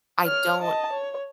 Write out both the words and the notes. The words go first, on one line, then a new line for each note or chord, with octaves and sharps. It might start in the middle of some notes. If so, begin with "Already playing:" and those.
I don't
C#5 F6
D#5 A5
C#5